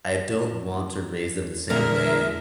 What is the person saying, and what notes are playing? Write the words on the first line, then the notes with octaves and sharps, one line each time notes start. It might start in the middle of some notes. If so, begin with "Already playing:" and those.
I don't want to raise them the same way
A#2 D3 G#3 A#4 E5 A#5 F6